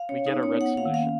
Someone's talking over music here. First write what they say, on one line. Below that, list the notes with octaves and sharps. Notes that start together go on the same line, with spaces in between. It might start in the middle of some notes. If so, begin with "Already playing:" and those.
We get a red solution.
Already playing: F5
C#4 C#5
D#4
B3
C#4 C#5
B3
F#5
B3
A#3 F5
D#3
A#3 F5
C#4